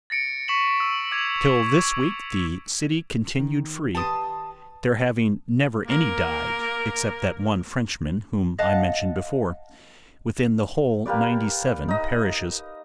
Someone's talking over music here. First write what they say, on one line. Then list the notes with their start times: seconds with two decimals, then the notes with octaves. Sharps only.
Till this week the city continued free, there having never any died, except that one Frenchman whom I mentioned before, within the whole ninety-seven parishes.
0.10 A6 A#6 C#7 D7
0.48 C#6 B6 C#7 E7 F#7
0.80 E6
1.12 D6 G#6 F7
3.39 D#3
3.95 G4 B4 A5 C6 D#6
5.85 A#3 A#4
8.59 D#5 F5 F#5 A5
11.06 A#3 G4 B4 D5
11.88 D#4 D#5